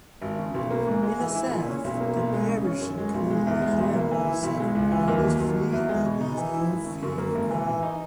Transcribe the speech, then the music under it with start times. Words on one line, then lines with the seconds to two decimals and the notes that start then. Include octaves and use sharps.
In the south, the parish includes the hamlets of Paley Street and Littlefield Green.
0.22 G#1
0.39 C#3
0.54 B1
0.71 A#3
0.87 G#2
1.03 G#3
1.19 E3
1.35 E4
1.51 A#2
1.68 C#4
1.84 B1
2.01 A#3
2.16 B1
2.33 G#3
2.48 C#3
2.64 C#4
2.81 F#2
2.98 G#3
3.14 B1
3.30 G#3
3.47 E2
3.62 G#3
3.78 B1
3.95 A#3
4.11 E3
4.26 E4
4.43 B1
4.60 G#3
4.75 C#2
4.92 E3
5.08 D#2
5.24 F#3
5.41 D#2
5.57 F#3
5.73 E2
5.89 G#3
6.05 B2
6.21 D#4
6.37 E3
6.54 E4
6.70 G#1
6.86 C#3
7.03 F#2
7.18 A#3
7.35 G#1
7.51 E3
7.67 E3
7.83 D#4